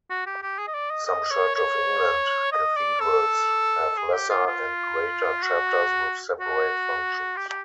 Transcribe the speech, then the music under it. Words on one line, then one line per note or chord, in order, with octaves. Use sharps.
Some Church of England cathedrals have "lesser" and "greater" chapters with separate functions.
F#4
G4
G4
G#4
D#5
D5
D#5
D#5
C#5
C#5
D#5
D5
A4
G#4
G4
F4
F4
F#4
F#4
G4
G4